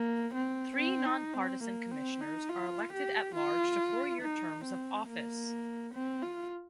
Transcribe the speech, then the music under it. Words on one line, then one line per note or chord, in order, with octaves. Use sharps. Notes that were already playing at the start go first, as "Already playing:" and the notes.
Three non-partisan commissioners are elected at-large to four-year terms of office.
Already playing: A#3
C4
C4
D#4
C4
A#3
C4
D#4
F4
G4
F4
D#4
C4
A#3
C4
F4